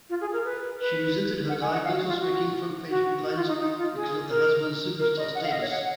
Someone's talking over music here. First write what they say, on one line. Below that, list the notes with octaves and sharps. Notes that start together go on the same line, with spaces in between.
She resented her diagnosis making front page headlines because of the husband's superstar status.
F4
G#4
A#4
B4
B4
F#5
G#5
F#5
F5
F#4
F4
F#4
F#4
F#4
F4
D#4
D#4
F4
G#4
A#4
A#4
D#5
F#5
F5
D#5
C#5
F#5